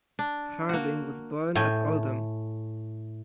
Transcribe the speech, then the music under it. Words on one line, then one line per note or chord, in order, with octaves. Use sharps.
Harding was born at Oldham.
D4
A#3 F#4
A2 G5 G#5